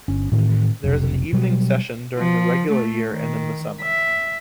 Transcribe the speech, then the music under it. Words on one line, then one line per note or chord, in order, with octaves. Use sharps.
There is an evening session during the regular year and in the summer.
G1 C#4
A2 D#3 E3 C4
F1 B1 C3
B2 F#3 G3
F3
A3
D#3
E5